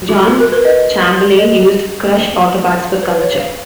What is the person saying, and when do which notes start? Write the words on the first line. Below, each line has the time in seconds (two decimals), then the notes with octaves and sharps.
John Chamberlain used crushed auto parts for sculpture.
0.09 F#4
0.28 F#4
0.40 A#4
0.52 B4
0.65 D#5
1.38 D#5
2.84 F5
3.03 B4
3.22 C#5
3.40 F5